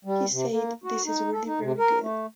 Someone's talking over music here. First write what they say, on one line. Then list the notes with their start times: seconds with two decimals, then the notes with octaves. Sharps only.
He said 'This is really very good.
0.05 G3
0.32 C3
0.51 A#3
0.84 F#4
1.05 D#4
1.33 A4
1.46 D#4
1.61 C3
1.78 A#4
2.01 A3